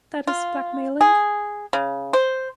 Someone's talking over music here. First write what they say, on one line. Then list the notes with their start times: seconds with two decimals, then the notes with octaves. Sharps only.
That is blackmailing.
0.27 F4
1.01 G#4
1.73 C#3
2.13 C5